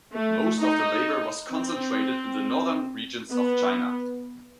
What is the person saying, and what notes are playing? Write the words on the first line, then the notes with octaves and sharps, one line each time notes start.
Most of their labour was concentrated in the Northern regions of China.
A3
D#4
C4
B3